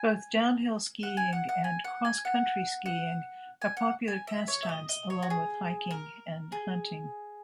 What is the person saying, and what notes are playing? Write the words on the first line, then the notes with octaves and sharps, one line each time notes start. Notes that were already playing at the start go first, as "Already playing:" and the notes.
Both downhill skiing and cross-country skiing are popular pastimes along with hiking and hunting.
Already playing: G#5
F#5
G#5
F#5
F#5
G#5
F#5
G#5
F#5
F#5
G#5
F#5
G#5
E5
C#5
E5
D#5
D#5
C#5
F#4
G#4
A#4
G#4